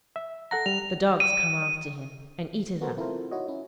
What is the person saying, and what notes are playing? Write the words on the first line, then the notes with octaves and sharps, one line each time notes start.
The dogs come after him, and eat it up.
E5
A4 F#5 A#5 A#6
G3 F7
D#7
B3 F#4 A4 A#4 C5
C4 E4 F4 A4 A#4 C5
D#4 E4 F#4 C#5 D#5
C#4 E4